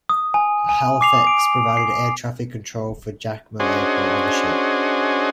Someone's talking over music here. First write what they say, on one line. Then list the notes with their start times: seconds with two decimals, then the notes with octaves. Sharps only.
"Halifax" provided air traffic control for Jacmel Airport on the ship.
0.09 D#6
0.34 G#5
0.69 G#5
1.01 D6 C7 F7
1.27 D7
1.77 C7
3.60 C#4 D4 F#4 G#4 C5 D#5